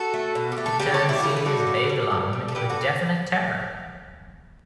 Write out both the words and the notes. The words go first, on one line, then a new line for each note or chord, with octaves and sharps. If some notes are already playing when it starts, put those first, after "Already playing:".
It turned Celia's vague alarm into a definite terror.
Already playing: F#4 A4
A3
B2
G4
A3
A4
C#3 G4 B4
A4 C#5
G3
E4 G4
F#4
C#3 E4 G4
B4
G3 F#4 A4
A2
G3
A2
G3
A4
D3 G4 B4
F#4 A4